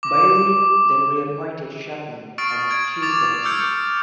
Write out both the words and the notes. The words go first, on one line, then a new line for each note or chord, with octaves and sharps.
Bailey then reappointed Chapman as chief deputy.
D6
C#6 D#6 F6 A6 C7 D7
F6 G#6 D7
D6 A6 F7
D6 E6 F6 G6 G#6 C#7